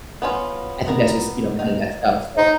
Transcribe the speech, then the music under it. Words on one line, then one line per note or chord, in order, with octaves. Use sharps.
I think that's just, you know, kind of messed up, So,
B3 C#4 F4
B3 A#4 A#5
D#4
D#4